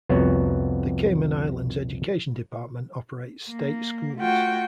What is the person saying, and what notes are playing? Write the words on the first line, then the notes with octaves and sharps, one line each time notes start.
The Cayman Islands Education Department operates state schools.
C2 F2 B3 F#4 C#5 F#5
A#3
A3 F4 F#4 G5